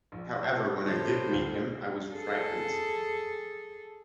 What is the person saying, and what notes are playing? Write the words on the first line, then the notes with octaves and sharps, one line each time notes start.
However, when I did meet him I was frightened.
A#1
F#5 A5
A2 D3 A#3 C5
D2 F4 A4
G#4 A4